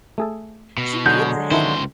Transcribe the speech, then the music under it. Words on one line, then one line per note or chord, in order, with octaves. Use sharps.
she needs it."
A3 G#4 A4
B2
D3 F#3 G#3 G6
C#2 D#3 E4 A4 C5